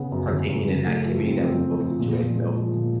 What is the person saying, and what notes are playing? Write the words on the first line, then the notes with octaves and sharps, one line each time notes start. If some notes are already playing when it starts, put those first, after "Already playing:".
partaking in an activity that we both enjoyed, so
Already playing: C#3 B3
F#2
C#3
F#2
C#3
A3
F3
C4
C4
A3
F3
A#2
A#2
G#3
F3
A#2